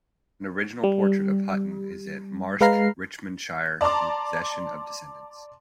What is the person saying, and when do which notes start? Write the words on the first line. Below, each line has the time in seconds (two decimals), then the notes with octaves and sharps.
An original portrait of Hutton is at Marske, Richmondshire, in the possession of descendants.
0.84 G3
2.61 G#3 B4 F5 A#5 C7
3.81 D5 A5 A#5 C6 D6